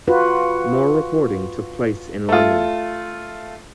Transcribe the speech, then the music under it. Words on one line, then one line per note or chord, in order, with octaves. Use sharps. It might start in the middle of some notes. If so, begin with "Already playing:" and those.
More recording took place in London.
F4 F#4 B4
A3 F4